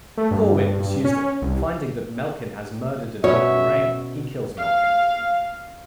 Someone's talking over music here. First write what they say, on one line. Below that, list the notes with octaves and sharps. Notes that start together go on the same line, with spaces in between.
Corwin pursues them; finding that Melkin has murdered and robbed Lorraine, he kills Melkin.
A3
G2
C#4
C2
B2 B3 C#4 C#5 E5
F5